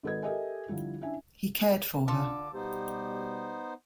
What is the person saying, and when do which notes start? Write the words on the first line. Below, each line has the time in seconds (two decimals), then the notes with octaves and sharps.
He cared for her.
0.03 G#1 G#2 A4 B4 D#5 G#6
0.23 G4 A4 A#4 D#5 E5 G#5
0.68 D3 F3 G3 E4
1.01 C#4 D4 E4 E5 G#5
2.08 D3 D4 F4 A4 D6
2.54 B2 G3 B3 D#4 G4 C5